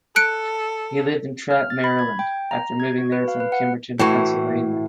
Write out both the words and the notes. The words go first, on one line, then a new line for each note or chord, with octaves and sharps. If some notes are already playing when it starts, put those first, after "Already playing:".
He lived in Trappe, Maryland, after moving there from Kimberton, Pennsylvania.
A4 F#6 C#7 D7
F6
A6
B5
G#6
G5
A#5
G#6
F#4
B4
F5
B4
F#5
A2 E3 F#4